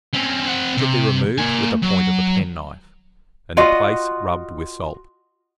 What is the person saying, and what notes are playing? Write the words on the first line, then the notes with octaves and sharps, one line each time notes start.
It should be removed with the point of a penknife, and the place rubbed with salt.
C4 C#4
C4 F#5
C3
A#3 G#5
F#3
F4 F#4 D#5